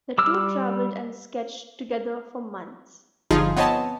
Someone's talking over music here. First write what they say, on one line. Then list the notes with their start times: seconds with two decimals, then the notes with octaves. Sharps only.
The two travelled and sketched together for months.
0.18 G3 D6 E6 F6
3.31 G1 F3 D#4 F4 G#4
3.57 B3 C4 C#5 D#5 G#5 A5